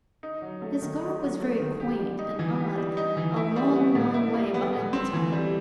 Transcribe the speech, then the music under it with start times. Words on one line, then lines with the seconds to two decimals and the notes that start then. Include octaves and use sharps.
His garb was very quaint and odd--a long, long way behind the time.
0.23 D#4
0.42 F#3
0.62 A3
0.82 D#3
1.01 D#4
1.21 F#3
1.40 A3
1.60 D#3
1.80 G4
1.99 G3
2.19 D#4
2.39 E3
2.59 G4
2.77 G3
2.97 D#4
3.17 E3
3.36 E4
3.56 G3
3.76 B3
3.95 A2
4.14 E4
4.34 G3
4.54 B3
4.74 A2
4.93 C4
5.13 E3
5.32 G3